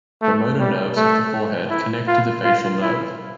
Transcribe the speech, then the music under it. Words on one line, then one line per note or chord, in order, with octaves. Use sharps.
The motor nerves of the forehead connect to the facial nerve.
A3
G3
A3
E4
F4
F4
E4